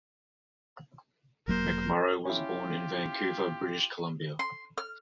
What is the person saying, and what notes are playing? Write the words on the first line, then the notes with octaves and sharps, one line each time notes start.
McMorrow was born in Vancouver, British Columbia.
E1 F#3 A#3 A#4 C5
C#4 E4 F4 G4
C6
F6